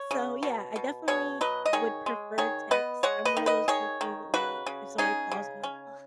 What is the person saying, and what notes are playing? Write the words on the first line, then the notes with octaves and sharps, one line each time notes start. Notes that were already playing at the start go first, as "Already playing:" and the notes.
So, yeah, I definitely would prefer text. I'm one of those people, like, if somebody calls, I'm like, "Ugh,
Already playing: C#5
C#3
B2
B2
B2 G#4 C#5
F#3 B4 D#5
D#5
D#3 G#4 C#5
G#3
D#3 G#4 C#5
B3 B4 D#5
G#3 C#5 F#5
B4 D#5
D#3
B4 D#5
D#3 G#4 C#5
D#3
C#3 F#4 B4
C#3
C#4 D#4 G#4
C#3
C#4